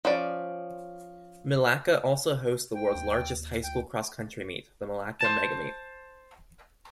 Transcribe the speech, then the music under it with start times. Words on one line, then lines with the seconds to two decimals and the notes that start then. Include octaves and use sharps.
Milaca also hosts the world's largest high school cross-country meet, The Milaca Mega-Meet.
0.05 F3 C#4 D5
2.74 G5
2.95 D#2
3.63 D2 G5
5.21 C5 A5